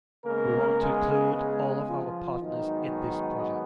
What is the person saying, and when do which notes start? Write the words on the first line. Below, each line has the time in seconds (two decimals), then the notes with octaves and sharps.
We want to include all of our partners in this project.
0.24 C#3 G#3 A#3 B3 A#4
0.79 G#3 G#4
1.34 G#3 G#4
1.88 F3 F4
2.43 G#2 D#3 F#3 B3 D#4